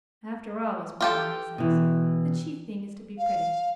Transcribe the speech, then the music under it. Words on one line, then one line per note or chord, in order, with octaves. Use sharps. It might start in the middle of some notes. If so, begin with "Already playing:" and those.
After all, as poor Marie says, the chief thing is to be pretty.
F4 G4 A4
B2 E3
F5